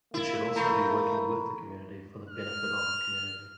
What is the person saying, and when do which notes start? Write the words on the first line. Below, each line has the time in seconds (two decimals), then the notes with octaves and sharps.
It should also be working with the community for the benefit of the community.
0.14 A#3 E4
0.56 E3 A3 A#5 B5 C#6
2.30 F6